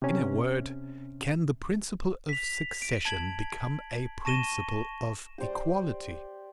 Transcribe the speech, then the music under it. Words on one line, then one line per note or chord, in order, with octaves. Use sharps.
In a word, can the principle of succession become a principle of equality?
C3 C#4
B6 F7
D7
A5 G#6 F#7
A5 C#6 A#6 D#7 E7 G7
G4 C5 D5